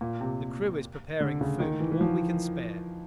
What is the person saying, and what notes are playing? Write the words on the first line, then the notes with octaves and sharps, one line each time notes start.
The crew is preparing food, all we can spare.
A#2
C3
D3
C#3
D#3
E3
E3
F3